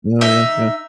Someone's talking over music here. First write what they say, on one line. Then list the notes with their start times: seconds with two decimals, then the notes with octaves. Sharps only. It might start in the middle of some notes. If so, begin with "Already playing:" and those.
Oh, yeah. Yeah.
0.21 D#4 E5